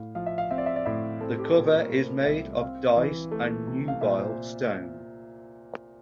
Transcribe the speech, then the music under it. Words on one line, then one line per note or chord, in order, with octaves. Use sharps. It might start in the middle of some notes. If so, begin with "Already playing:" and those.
The cover is made of dice and nubile stone.
Already playing: A2 F5
F3 F5
E5
F5
C4 E5
D5
E5
D5
A2 E5
C4 A4
G4
A4
A#2
A#4
A3 C5
C2 E5
C4 F5
E3
A3
C3
F5
A#2 E5
C5